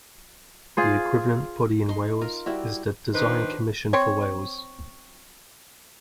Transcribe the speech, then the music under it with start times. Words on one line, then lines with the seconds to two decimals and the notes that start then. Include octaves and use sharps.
The equivalent body in Wales is the Design Commission For Wales.
0.77 F4 G#4 C5
1.89 D#4 C6
2.21 F4 A#4
2.46 G3 E4 F#4
3.14 D#3 D4 D#4 B4 C5
3.93 C4 C#5